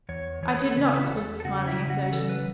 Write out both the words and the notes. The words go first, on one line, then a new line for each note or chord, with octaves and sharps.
"I did not," was the smiling assertion.
E2 C#5
E3 C#5
A4
C#3 B4
C#4
E4
F#4
E2 A4
A4
C#3 F#4
E4
C#3
F#4
E3 A4
B4